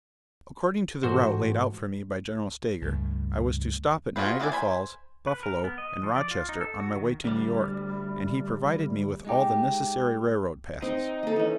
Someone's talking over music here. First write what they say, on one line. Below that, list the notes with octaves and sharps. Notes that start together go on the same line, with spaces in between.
According to the route laid out for me by General Stager, I was to stop at Niagara Falls, Buffalo and Rochester on my way to New York, and he provided me with all the necessary railroad passes.
A1 G#2 F#4 C5
C#2 G2 A3
F4 F#4 G#4 B4 C5
E3 B3 C4 D5 G#5
C5 G#5 B5
B4
A#4
B3
D#5
F3
D5
F4
D#4
A4
F#4
D#3
D2 G3
G#3 D#4 G4
C4 D#4
A#3 A4
E3 C#4